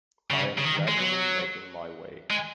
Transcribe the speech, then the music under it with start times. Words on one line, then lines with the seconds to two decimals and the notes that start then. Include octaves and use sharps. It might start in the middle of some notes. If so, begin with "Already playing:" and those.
I am gradually making my way.
0.30 C#3
0.58 C#3
0.64 D#3
0.88 G#3
0.97 F#3
2.31 G#3